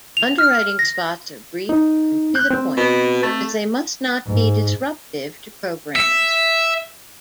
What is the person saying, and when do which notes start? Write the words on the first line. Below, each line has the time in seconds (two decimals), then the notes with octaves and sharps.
Underwriting spots are brief and to-the-point, as they must not be disruptive to programming.
0.17 F7
0.38 F6
0.79 A#6
1.69 D#4
2.35 F#6 G6
2.50 C4
2.77 B2
3.23 A3
4.26 G#2
5.96 E5